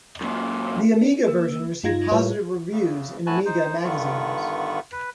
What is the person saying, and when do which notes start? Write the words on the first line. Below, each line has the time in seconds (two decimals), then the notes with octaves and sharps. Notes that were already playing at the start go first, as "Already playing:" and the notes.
The Amiga version received positive reviews in Amiga magazines.
0.21 F#2 A#2
1.01 D4
1.28 A#3 E6
1.83 G2 D#4 F4 G#6 A#6
2.11 A2 G3 E4 F4 B4 C#5
2.72 E2 C#3
3.27 A2 E4 F#4 G#5 A5 F#6
3.46 D#4 C5
3.85 G2 D3 D#3 B3 F4 C#6
4.92 B4